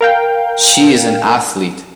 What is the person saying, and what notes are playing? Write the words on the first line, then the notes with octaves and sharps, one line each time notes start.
She is an Athlete.
A#4 F5 G5